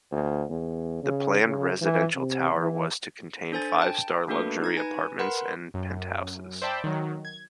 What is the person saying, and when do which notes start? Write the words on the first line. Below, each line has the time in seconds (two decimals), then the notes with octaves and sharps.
The planned residential tower was to contain five-star luxury apartments and penthouses.
0.11 D2
0.50 E2
1.03 C#3
1.45 C#3
1.81 E3
2.15 C3
2.56 E3
3.52 D4 A4 C5 G#5 A6
3.79 G5 A5
4.28 A3 A#3 D4 F#4 A4 B4
4.62 D#4 G#6 A#6
4.77 B4 G#5
5.19 A#4 B4 F#5 B5 C6
5.74 F#2
6.62 C5 D5 E5 G5 A5 B5
6.84 D#3 F#3
7.25 G#6